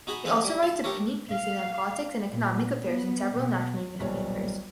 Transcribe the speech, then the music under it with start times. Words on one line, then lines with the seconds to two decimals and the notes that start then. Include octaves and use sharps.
He also writes opinion pieces on politics and economic affairs in several national newspapers.
0.07 D#4 F#4 G#4 B5
0.25 F3 C#4 D#4 A4
0.44 G3
0.63 A4 A5
0.84 G4 A4 A#4 C#5
1.30 F5
2.29 A#2
2.83 B3
3.34 B2
3.99 D#1 B1 G3 C#5